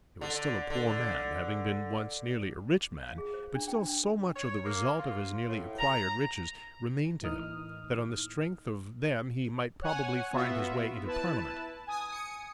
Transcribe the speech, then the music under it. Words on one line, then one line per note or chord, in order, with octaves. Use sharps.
He was still a poor man, having been once nearly a rich man; but still so much of the result of his nearly acquired riches remained to him, that on the strength of them he might probably find his way into Parliament.
D3
D3
F5
G#4
C5
D4
G5
C#5
A#3
F4
A2
A#5
A2 E3 A#3 D#4 D#6 F6
C#5 F#5 G#5
B3 F4 F#4 E5
E4 B4 A5
G#5 D#6
D#6 C#7